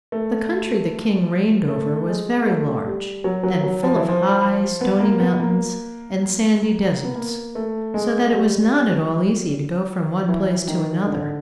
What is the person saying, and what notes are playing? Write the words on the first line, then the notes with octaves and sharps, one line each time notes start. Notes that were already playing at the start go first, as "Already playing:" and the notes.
The country the king reigned over was very large, and full of high, stony mountains and sandy deserts, so that it was not at all easy to go from one place to another.
A3
A3
G#3
A3
G3
F#3
F#3
F#3
F3
E3
F3
B3
A#3
B3
A#3
B3
A#3
A3
G#3
G3
E3
D#3
D3